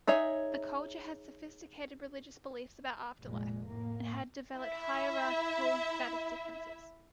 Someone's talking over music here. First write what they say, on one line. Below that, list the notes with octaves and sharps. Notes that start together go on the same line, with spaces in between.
The culture had sophisticated religious beliefs about afterlife and had developed hierarchical status differences.
D#4 G#4 C#5 E5
F1 A#2 G#3
A2 A#3
E4 E5